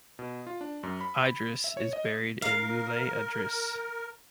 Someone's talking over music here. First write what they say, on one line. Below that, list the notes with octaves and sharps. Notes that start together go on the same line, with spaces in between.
Idris is buried in Moulay Idriss.
B2
F4
D4
F#2
B5
E5
C#5
D#5
A#4 F5